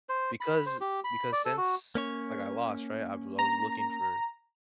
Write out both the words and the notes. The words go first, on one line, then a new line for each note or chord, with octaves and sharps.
because, eh because since, like, I lost, right? I was I was looking for
C5
B5
C5
G4
B5
D5
A4
F#4
A#3 C#4 C#5
A#5